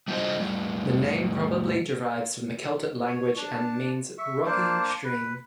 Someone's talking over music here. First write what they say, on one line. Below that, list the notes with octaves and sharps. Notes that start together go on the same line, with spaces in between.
The name probably derives from the Celtic language and means "rocky stream".
G3 D4 F4 F#4 C5 D#5
A2 G3
C#5
D4 A5
E5 C#6
A#3 D4 C5 D5 A5
B4